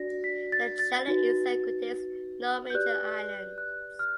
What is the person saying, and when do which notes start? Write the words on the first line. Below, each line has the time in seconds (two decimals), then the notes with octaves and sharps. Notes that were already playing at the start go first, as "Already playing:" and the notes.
The channel itself contains no major islands.
Already playing: D4 F#4 D5 A#6
0.24 B6
0.52 A6
0.79 A6
1.07 D#4 F#4 B4
2.70 G6
2.74 G4 B4 D5 F#6
3.58 F#6
3.99 F6